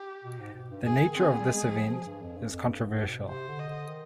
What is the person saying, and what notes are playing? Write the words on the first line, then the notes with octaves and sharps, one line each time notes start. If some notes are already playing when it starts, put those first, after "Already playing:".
The nature of this event is controversial.
Already playing: G4
B2
G#2
B2
G2
G2 G#4
D#3
C4 G#4
B3
G3
G#3
F3
F3
G2
F2
G2
F2
G2
G#2
B2
C3 C5
D3
D#5
D3
D#3